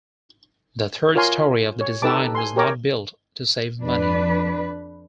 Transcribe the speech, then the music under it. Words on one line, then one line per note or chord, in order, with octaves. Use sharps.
The third story of the design was not built to save money.
F4 A#4 C#5 F5 G#5 C6
C#5
D#4 G4 A4 B4 A5 D6
G#5 C6
G4 A#4 C#5 A#5 D6
F2 D4 B4